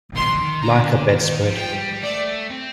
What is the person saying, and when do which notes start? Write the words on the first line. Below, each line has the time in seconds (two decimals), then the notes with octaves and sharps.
Like a bedspread.
0.16 D#3 C6
0.28 D3
0.41 D#3
0.62 D3 A#5
1.09 D#3
1.41 F3
1.48 G3
1.55 F3 G5
1.72 G3
1.93 G3
2.03 A3 D5
2.50 C4